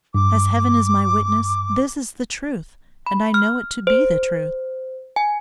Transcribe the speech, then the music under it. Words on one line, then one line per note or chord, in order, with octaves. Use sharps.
As Heaven is my witness, this is the truth, and I know it to be the truth.
G2 D6
B5
F6
C5
G#5